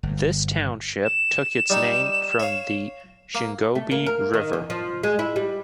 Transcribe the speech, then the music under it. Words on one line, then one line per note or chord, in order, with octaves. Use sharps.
This township took its name from the Shingobee River.
G1
E7
G3 D#4
C#5 F5
A#3
A3
A#3
A#4
D#3
E2
F3
G#3
E4
G3